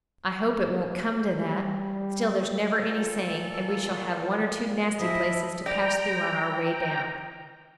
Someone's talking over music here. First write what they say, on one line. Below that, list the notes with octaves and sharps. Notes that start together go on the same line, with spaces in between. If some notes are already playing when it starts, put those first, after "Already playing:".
I hope it won't come to that, still there's never any saying, and we shall have one or two nasty places to pass through on our way down.
G3
A#2 A4
F3 E4 D#5 E5
D5 G5 A#5